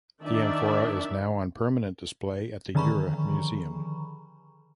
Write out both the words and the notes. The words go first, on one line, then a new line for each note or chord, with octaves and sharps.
The amphora is now on permanent display at the Ure Museum.
D#3 D4 D5 E5
D3 D#3 F3 A#5 B5 C#6